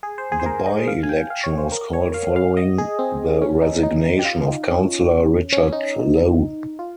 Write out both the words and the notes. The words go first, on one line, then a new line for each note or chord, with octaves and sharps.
The by-election was called following the resignation of Councillor Richard Lowe.
G#4
C5
G#4
C5
A#4
D#5
F5
G#5
G5
F5
C#5
C5
A#4
C#5
F5
F5
D#5
G#4
C4
C#4
D#4
D#4
G4
F4
D#4
C#4
C#4
D#4
F4